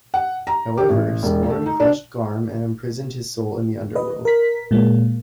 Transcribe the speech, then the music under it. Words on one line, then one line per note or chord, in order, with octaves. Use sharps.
However, Skorne crushed Garm and imprisoned his soul in the Underworld.
F#5
A#5
G4
A1
E1
A3
D#4
D4
B4 D#5
A#4 B6
A#2 G#3 A#3